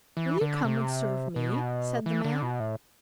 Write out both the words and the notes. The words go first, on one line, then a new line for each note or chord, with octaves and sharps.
'Will you come and serve me?' said the man.
E3
D3
C3
B2
E3
D3
B2
A2